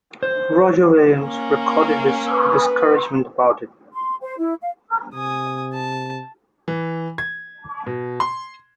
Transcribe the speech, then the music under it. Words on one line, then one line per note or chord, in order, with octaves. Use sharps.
Roger Williams recorded his discouragement about it.
C5
A#3 C#4
B4
C6
C5
E4
F5
C3 G#5 D#6
A5
E3
G#6
B2
C6